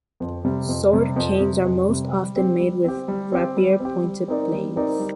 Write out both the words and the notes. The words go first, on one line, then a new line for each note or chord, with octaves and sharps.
Sword canes are most often made with rapier-pointed blades.
F2
C3 G3
F2
C3 G3
F2
C3 G3
F2
C3 G3
G3
C4 G4
G3
C4 G4
G3
C4 G4
G3
C4 G4
G3
C4 D#4 A#4 D5
G3
C4 D#4 A#4 D5
G3